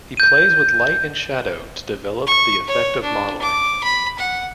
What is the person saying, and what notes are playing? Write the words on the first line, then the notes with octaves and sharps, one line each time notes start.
He plays with light and shadow to develop the effect of modeling.
G6 D#7
C#6
C#5
D4
D6
B5
F#5